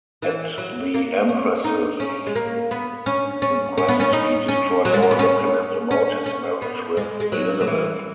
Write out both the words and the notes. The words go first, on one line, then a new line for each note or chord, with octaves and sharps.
At the Empress's request he destroyed all documents about his marriage with Elizabeth.
E3
F#3
A#3
C#4
D#4
C#4
G#3
A#3
B3
C#4
C#4
C#4
B3
C#4
D#4
C#4
F#3
G#3
A#3
B3
C#4
C#4
C#4
B3
G#3
G#3
F#3
F#3
E3